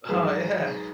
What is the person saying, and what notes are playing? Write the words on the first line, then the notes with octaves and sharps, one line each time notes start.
Oh yeah,
G#2 F#3 G#4 B4